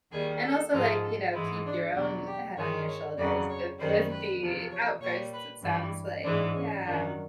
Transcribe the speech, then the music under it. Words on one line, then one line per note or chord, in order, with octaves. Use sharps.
And also, like, you know, keep your own head on your shoulders with with the outbursts, it sounds like. Yeah.
D#2 D#3 G3 G#4
A4
G#2 F3 G#3 A#4
A4
G#2 E3 G#3 E4
D4
E2 B2 F#3 D4
G4
G2 D#3 G#3 C#5
C#5
F2 C#3 F#3 D5
C#5
F#2 D#3 G3 C5
B4
E2 C3 F3
C#5
A#2 G3 C#5
B4
G2 E3 G3
G#2 E3 G#3 D4
C#4
F#2 D#3 F#3 D4